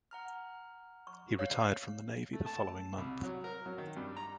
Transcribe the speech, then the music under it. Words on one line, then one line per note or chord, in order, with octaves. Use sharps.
He retired from the navy the following month.
F#5 A#5 F6
C#6
C#5 F5
A3
A5
C2
F#3
A#4
F#3
D#3
G2
A#5